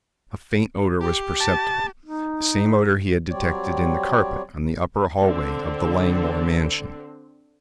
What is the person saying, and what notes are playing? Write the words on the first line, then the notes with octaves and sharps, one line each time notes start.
A faint odor was perceptible, the same odor he had detected in the carpet on the upper hallway of the Langmore mansion.
G4
A5
D#4
F#3 G3 C4 C#5 D5
D3 C4